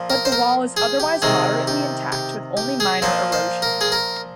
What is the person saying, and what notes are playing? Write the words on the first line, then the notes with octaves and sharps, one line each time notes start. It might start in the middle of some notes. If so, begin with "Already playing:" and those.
But the wall is otherwise moderately intact with only minor erosion.
Already playing: A#2 F3
A#4
C5
A#4
G#4
G4
C3 D#3 G#4
G4
G4
G4
G#4
A#2 F3 C5
C5
A#4
G#4
A#4